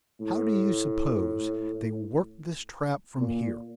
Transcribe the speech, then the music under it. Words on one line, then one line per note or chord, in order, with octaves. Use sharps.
How do you suppose they worked this trap from here?
A2
A#2